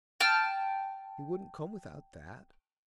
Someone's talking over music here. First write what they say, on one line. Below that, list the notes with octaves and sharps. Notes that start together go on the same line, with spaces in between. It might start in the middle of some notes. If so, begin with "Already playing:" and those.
'He wouldn't come without that?'
G5 A5 F6